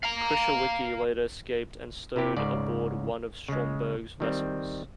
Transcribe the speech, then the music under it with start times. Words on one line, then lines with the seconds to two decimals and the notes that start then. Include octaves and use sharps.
Krycsiwiki later escaped and stowed aboard one of Stromberg's vessels.
0.03 F5 A#5
2.16 C3 E4 G4
2.37 C#2 G#2 C#3 D5
3.49 C#3 G#3
4.20 D#3 G3 C4